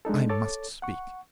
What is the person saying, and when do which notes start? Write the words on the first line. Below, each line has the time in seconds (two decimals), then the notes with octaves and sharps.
I must speak.
0.05 G#3 D4 D#4 A4
0.29 A4 C#5 D6 A6
0.82 F#5 C#6